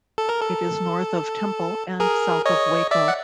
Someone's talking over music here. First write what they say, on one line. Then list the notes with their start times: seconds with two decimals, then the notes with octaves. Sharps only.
It is north of Temple and south of Waco.
0.18 A4
0.29 A#4
0.42 A4
2.00 G#4 A#4
2.46 C#5 D#5
2.91 D5 E5
3.08 F#5